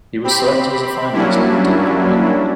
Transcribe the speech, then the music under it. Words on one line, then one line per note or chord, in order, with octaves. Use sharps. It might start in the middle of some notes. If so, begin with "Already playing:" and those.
He was selected as a finalist but did not win.
C4 G4 B5
F#3 G3 A#3 C#4 D4 E4